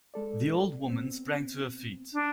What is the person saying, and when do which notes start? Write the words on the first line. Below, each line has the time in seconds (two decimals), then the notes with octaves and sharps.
The old woman sprang to her feet.
0.14 G#3 A4 D5
0.88 B3 C4
2.13 D4